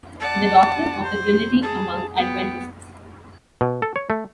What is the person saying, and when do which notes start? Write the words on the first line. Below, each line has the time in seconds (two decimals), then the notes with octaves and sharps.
"The Doctrine of the Trinity Among Adventists".
0.20 D5 F#5 A5
1.03 C5
1.63 G#4 A5
2.16 B3 G5
3.61 B2
3.82 A4
3.96 C#5
4.10 A3